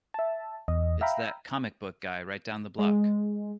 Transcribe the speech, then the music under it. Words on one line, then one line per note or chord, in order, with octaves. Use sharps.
It's that comic-book guy right down the block.
E5 A5
E2 D#5
E5 F5 G5 A#5 B5
G#3